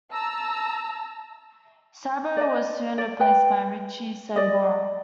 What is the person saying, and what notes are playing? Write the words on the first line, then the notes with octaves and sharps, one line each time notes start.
Sabo was soon replaced by Richie Sambora.
A5 A#5 E6
D5 D#5
D5
B4 G5
D5 D#5